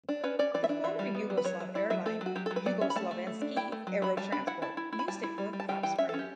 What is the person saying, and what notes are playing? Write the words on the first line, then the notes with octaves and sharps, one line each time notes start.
The former Yugoslav Airline, Jugoslovenski Aerotransport, used it for cropspraying.
D4
C#4 B4
C#4 D5
E3 D5
E5
D4
E3 E5
G3
B3
F#3
B4
F#3 C#5
F#3
E4 D5
F#3 E5
A3 A4
F#3
F#4
F#3 G4
A4
F#3
B4
F#3 D5
C#4 E5
B5
A3 A5
A3
A3
D4
E4 G5
A3
F#3
F#3 B5
G3 A5
D4 B5
E4 F#5
E4 A5
E4
E4
B5
G3 A5
E4
G3
G3
A5
G3 G5
E3 G5
C#4 E5
A4
C#4
G4